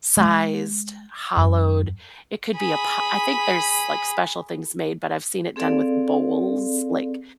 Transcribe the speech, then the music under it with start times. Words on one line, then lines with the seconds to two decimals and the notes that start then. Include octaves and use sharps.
sized, hollowed It could be a po I think there's, like, special things made, but I've seen it done with bowls, like,
0.17 G#3
1.37 F#2
2.56 G#4 B5
5.56 C4 G#4 A4 D5 F5